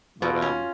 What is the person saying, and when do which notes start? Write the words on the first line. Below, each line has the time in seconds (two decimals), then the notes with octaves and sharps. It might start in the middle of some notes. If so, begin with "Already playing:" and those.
but, um,
0.22 B2 F4
0.42 C#4